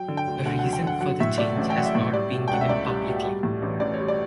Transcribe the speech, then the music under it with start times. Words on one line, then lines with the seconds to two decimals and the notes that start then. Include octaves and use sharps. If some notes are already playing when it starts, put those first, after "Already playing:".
A reason for the change has not been given publicly.
Already playing: F#3 G5
0.08 D3
0.17 G5
0.27 D2
0.46 D2 F#5
0.59 F#3 F#5
0.73 G5
0.83 D3 F#5
1.01 F#3 F#5
1.20 A2 E5
1.38 A3 D5
1.57 A1
1.70 G5
1.76 F#3 F#5
1.85 E5
1.95 A2
2.13 G3 D5
2.31 B2
2.48 G5
2.51 C#2 F#5
2.61 E5
2.68 C#2 D5
2.88 G3
3.07 B2
3.25 G3
3.43 A2
3.62 A1
3.80 A1 D5
3.94 C#5
3.99 G3
4.08 D5